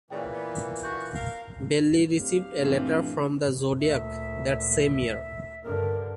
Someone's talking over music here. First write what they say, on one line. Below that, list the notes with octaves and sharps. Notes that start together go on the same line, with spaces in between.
Belli received a letter from the The Zodiac that same year.
A#2 C#3 E3 D5 G5
B3
D3 F#4 G6
A#4 F5
D1 G4 F5
D2 G2 A#2 E3 C4
D2 A#2 E5
G2 D3 A#4